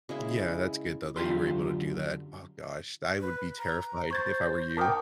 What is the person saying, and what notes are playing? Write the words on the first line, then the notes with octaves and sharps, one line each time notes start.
Yeah, that's good though that you were able to do that. Oh gosh. I would be terrified if I were you.
C#3 G#3 E4
F#2 D3 F4 G4 C6
B4
A#5
C5 C#6 G#6 A6
A#4 F#5 G5 A5 D6 D#6